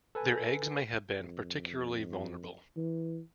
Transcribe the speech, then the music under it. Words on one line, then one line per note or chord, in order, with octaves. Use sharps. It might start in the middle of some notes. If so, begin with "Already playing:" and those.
Their eggs may have been particularly vulnerable.
A4 B4 G#5
F2
E3